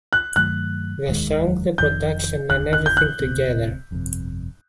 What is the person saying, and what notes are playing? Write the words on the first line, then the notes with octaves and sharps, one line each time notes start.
The song, the production and everything together.
F#6
G2 D#3 F#3 A3 F#6
F1 D#2 D#3 G#3
F1 F2 C3 D#3 G6
F1 D#2 D3 F#6
F#6
G6
F#6
E1 D2 C3
G1 F2 C3